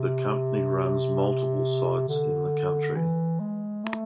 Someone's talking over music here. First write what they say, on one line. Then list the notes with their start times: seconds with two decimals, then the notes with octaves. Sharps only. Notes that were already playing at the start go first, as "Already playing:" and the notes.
The company runs multiple sites in the country.
Already playing: C3
2.08 D3
2.96 E3
3.40 G#3
3.84 A3